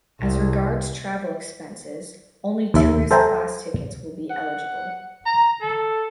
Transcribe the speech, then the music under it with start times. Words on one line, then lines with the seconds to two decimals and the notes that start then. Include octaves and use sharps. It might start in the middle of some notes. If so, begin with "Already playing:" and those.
As regards travel expenses, only tourist class tickets will be eligible.
0.20 C2
2.74 D#2 E5
3.11 A4 C5 E5 G5 G#5 A#5
4.30 F#5
5.26 A#5
5.62 A4